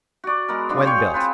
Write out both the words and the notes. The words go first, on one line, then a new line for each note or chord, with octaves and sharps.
When built?
F#4 D5
G#3 B3 A#4
F#3 B3 D4 F4
C5 C#5 G5 C#6
G#4
C4 F4 B4